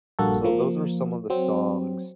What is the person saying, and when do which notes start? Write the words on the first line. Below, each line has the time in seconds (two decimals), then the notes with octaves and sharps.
So, those are some of the songs
0.19 A#1 G2 A#3 F#4 A4
0.44 F3 A#3
1.30 F#3 C4